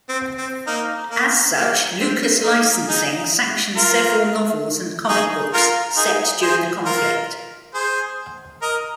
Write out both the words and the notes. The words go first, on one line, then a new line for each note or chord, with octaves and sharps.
As such, Lucas Licensing sanctioned several novels and comic books set during the conflict.
C4
C4
A#3 D#4
A#3
A#3
C4
A#3 D#4
D#4 G#4
F4 A#4
D#4 G#4
F4 A#4
D#4 G#4
G#4 C5
F4 A#4
G#4 C5
A#4 D#5